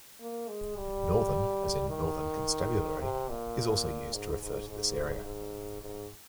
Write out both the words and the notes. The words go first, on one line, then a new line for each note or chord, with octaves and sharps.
"Northern", as in "Northern Constabulary", is also used to refer to this area.
A#3
G#3
G3
D#3
C3
A#2
G#2
G#2
G#2
G#2
G#2